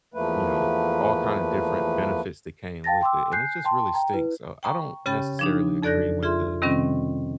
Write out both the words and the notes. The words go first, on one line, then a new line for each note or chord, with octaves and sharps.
you know, all kind of different benefits that came with it, and it just really stinks. Uh, I don't necessarily agree with the
E2 F3 A3 A#3 B4
F5 G5 A5 A6 A#6
G5 C6 D6 E6
G#5 F#6 G6 C7
G5 A5 C6
G5 A#5
E4 B4
G5 A#5 C#6
C#3 C#4 G4 G5 B5 A6
F3 D4 D#4
F2 A4 D5 F#6 G6 A#6
F4 G#4 E5 C6
C3 D#3 G3 C4 C#4